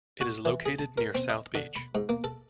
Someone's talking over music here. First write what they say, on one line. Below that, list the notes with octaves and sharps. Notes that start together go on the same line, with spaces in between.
It is located near South Beach.
F#4
E3
G#4
A5
A#4
C4
D#5
D3
B5
G#2
A#3
A4